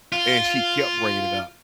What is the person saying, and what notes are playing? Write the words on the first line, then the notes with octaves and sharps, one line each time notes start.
and she kept bringing it up.
F4